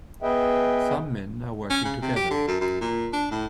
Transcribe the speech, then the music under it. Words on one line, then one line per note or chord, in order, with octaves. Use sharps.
Some men are working together.
B3 G#4 B4 D#5 E5 G5
C#4
C#3
C3
G4
D3
F#2
F#2
A#2
D4
A2